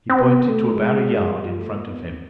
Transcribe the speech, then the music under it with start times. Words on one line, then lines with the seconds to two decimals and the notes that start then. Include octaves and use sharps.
He pointed to about a yard in front of him.
0.09 C4
0.21 B3
0.49 A3
0.76 G#3
1.31 G3
1.45 F3
1.59 A3
1.73 A#3
1.87 B3
2.05 C4